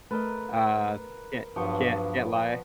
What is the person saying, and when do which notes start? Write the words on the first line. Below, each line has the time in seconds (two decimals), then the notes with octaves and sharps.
Uh, can't can't can't lie.
0.11 A3 A#4 B4 D#5
1.56 G2 F3 F#3 B3 G4 C#6